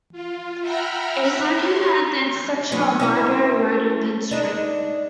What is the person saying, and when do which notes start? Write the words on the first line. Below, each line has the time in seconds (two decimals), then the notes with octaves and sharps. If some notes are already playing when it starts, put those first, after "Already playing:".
It is located at the intersection of Byberry Road and Penn Street.
0.12 F4
0.61 E5 F#5 G5 A#5 B5 F6
1.53 C#5 C6
2.72 F#3 B3 C#4
3.00 C#4 E4 F#4
4.31 D4 D#4